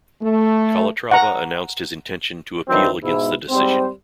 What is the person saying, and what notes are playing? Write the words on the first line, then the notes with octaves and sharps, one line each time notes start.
Calatrava announced his intention to appeal against the decision.
A3
F#5 A#5
D#3 E3 F#3 C4 D4 E4
G#2 B2 E4
G#2 G3 C4 C5